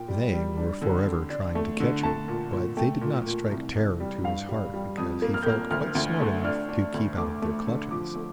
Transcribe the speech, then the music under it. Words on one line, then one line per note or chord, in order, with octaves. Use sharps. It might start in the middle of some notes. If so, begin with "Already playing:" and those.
They were forever trying to catch him, but they did not strike terror to his heart because he felt quite smart enough to keep out of their clutches.
Already playing: A#2 G5
G3
G3
D4
D3
D3
D4
A3
D3
A3 A5
A#2
A#2
A3 G5
A#2
A#2
C2
C2
G3
G2 F5
G3
G3
F2 D#6
A#3
F6
G6
A#3 F6
D2 F6
D2
A3
D4 F6
D4
D2
A3 D6
A3
D3
F3 D6
A3